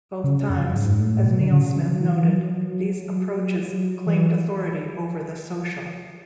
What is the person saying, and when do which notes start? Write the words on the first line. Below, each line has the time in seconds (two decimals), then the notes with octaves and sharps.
Both times, as Neil Smith noted, these approaches "claimed authority over the 'social'".
0.24 C#3
0.50 F#2
0.64 F#2
0.75 G#2
1.00 A2
1.25 B2
1.41 D3
1.51 C#3
1.77 D3
1.92 F#3
2.02 E3
2.28 F#3
4.07 E3